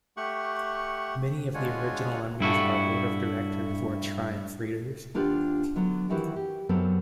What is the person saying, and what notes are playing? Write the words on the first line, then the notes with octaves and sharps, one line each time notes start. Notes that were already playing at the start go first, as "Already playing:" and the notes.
Many of the original members of our Board of Directors were "Triumph" readers.
A3 G4 F#5 C#6
G#3 D4 F4 C#5 F#5 G#5
G2 E4 F#4 A4
D#2 D4 F4 G4 B4 F#5
D3 F#3 B3
D#3 E3 E4 F#4 G4 B4
G4
F#2 F#3 B3 C4 G4 A4